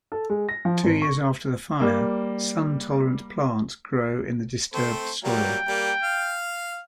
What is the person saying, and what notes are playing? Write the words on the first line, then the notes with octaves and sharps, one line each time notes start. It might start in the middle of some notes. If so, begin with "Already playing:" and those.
Two years after the fire, sun tolerant plants grow in the disturbed soil.
A4
G#3
A#6
F3
G#1
C#6
G3 A#3
A3 C4 C5
F#3 G3 A#3 G5
G3 A#3
F5 F6